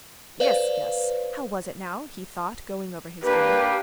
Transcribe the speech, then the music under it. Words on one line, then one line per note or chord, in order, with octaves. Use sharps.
"Yes, yes, how was it now?" he thought, going over his dream.
B4 C5 D5 F5
A#3 D4 G4 B4